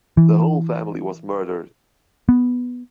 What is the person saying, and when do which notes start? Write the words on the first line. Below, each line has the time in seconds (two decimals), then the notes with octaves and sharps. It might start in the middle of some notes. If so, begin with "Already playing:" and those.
The whole family was murdered.
0.17 E3
2.29 B3